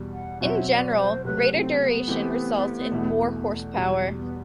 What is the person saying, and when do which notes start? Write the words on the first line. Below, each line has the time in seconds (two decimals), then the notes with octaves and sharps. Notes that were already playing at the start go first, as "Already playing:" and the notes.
In general, greater duration results in more horsepower.
Already playing: E2 B2 G3
0.14 F#5
0.41 B2 F#3 C4 F#4 E5 F#5
0.70 D5
0.97 C5
1.25 C3 F#3 A3 B4
1.53 D4
1.57 C4
1.81 C4
1.85 B3
2.08 E3 A3 C4 G4
2.91 E2 B2 A3 E4
3.74 E2 B2 G3 B3
4.16 B3